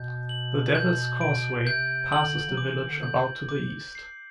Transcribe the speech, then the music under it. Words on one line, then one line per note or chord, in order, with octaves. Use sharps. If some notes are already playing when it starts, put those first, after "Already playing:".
The Devil's Causeway passes the village about to the east.
Already playing: B2 G6
F#7
G6
D7
C3 G6
D3 F#7
F#3
E3 D6
D3
G6
D6
C7